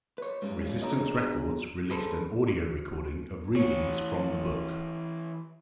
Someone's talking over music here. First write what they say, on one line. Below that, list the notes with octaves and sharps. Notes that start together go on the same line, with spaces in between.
Resistance Records released an audio recording of readings from the book.
B4 C#5
G#2 G3 C#4
B3 D4 G#4 A#4 C#5 D#5
G#4 A4 B4 C5
E3 C#5